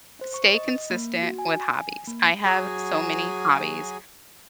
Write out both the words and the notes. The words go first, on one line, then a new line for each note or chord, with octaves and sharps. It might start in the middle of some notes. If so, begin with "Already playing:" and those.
stay consistent with hobbies, I have so many hobbies.
C5
C#6
D#5
A#3
F#4
G#5
A#3
F#3 F#4 G#4 G#5